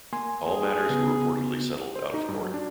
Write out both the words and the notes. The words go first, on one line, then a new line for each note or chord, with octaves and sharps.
All matters were reportedly settled out of Court.
A#3 G#5 C6
G#4
C#3 B3
C5
D#4
G2
F#3
D4